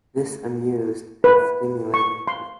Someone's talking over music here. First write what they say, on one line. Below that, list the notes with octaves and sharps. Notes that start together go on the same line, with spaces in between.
This amused and stimulated her.
B4
C#6
C6